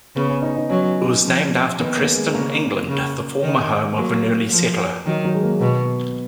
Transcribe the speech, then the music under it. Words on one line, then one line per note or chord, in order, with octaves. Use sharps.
It was named after Preston, England, the former home of an early settler.
C#3 B3
C#4
D#4
D#4
F#3 C#4
F3
D#3 B3
A#3
G#3
C#3 A#3
C#3
D#3
F#3 A#3
F3
D#3 F#3
F#3
G#3
A#3
B2 B3